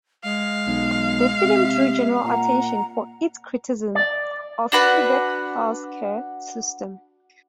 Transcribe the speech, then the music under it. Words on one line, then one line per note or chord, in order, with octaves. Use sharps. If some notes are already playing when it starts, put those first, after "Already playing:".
The film drew general attention for its criticism of Quebec's health care system.
G#3 F5
B1
C3 E5
A#2 F#5 A#5
D5
D4 F#4 B4 F#5